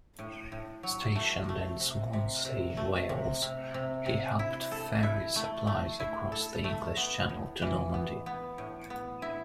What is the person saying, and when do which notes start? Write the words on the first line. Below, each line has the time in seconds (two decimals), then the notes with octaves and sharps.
Stationed in Swansea, Wales, he helped ferry supplies across the English Channel to Normandy.
0.19 A2
0.52 A2
0.83 F#3
1.16 A3
1.49 A3
1.80 C3
2.13 C3
2.45 C3
2.77 A3
3.09 C3
3.42 C3
3.74 C3
4.06 C3
4.39 E4
4.71 A4
5.03 E4
5.36 A3
5.67 A3
6.00 E4
6.32 A4
6.64 A3
6.97 B3
7.29 A2
7.62 E3
7.94 B3
8.26 B3
8.58 A2
8.90 B3
9.22 E4